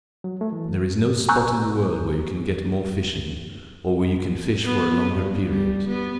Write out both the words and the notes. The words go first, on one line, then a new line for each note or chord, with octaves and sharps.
There is no spot in the world where you can get more fishing, or where you can fish for a longer period.
F#3
A3
E3
F#2
G#5 A#5 C#6 E6 F#6 G6
B3
G2
G3
B3